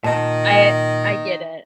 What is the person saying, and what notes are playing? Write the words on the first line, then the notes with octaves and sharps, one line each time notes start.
I I get it.
A#2 D#3 D#5 A5